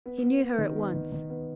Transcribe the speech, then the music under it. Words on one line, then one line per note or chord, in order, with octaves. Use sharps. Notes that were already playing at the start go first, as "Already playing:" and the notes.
He knew her at once.
B3
B3
B3
D#3
B3
D#3
D#3
B3